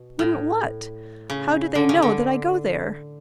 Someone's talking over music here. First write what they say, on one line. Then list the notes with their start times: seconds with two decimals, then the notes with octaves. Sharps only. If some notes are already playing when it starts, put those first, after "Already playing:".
'Wouldn't what?--How do they know that I go there?'
Already playing: B2
0.19 A2
1.30 C#3
1.75 D3
1.89 C#3
2.02 D3